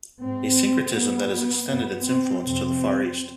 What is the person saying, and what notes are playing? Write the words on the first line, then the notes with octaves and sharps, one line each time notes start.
A syncretism that has extended its influence to the Far East.
G#2 C4
G2 B3
G2 B3
C4
F2 C3 C4